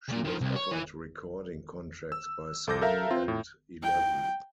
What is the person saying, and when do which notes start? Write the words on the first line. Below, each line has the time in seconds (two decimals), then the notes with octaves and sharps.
She was offered recording contracts by Sony and Eleven.
0.09 A#2 C#3
0.24 D#3 F3
0.41 C2
0.56 C#5
0.71 E3
2.12 E6
2.67 C2 A4 D6 G6 A#6
2.81 A4 A#4 E5 F5 A#5
3.11 C4 F4
3.28 A2
3.83 G5